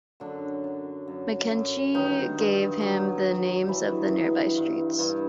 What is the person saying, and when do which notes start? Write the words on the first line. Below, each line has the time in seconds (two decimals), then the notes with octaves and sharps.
McKechnie gave him the names of the nearby streets.
0.20 F#2 D3 D4
0.64 F#2
1.08 F#2
1.51 F#2
1.94 G2 D#3 D#4
2.39 G2
2.81 F#3
3.25 F#3
3.68 G2 E3 E4
4.13 G2
4.56 G2
4.99 G2